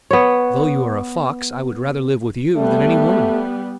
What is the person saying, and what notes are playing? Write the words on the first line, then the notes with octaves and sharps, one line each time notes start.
Though you are a fox I would rather live with you than any woman.
B3 C#5
G3 A3 B3